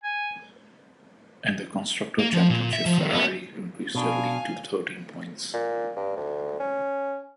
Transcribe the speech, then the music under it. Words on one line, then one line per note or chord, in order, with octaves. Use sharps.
In the Constructors' Championship, Ferrari increased their lead to thirteen points.
G#5
A#3
F3
A#2
E5
F3
D#3
B3
B2 D4 F5 G#5
A#2
G2
D2
C#4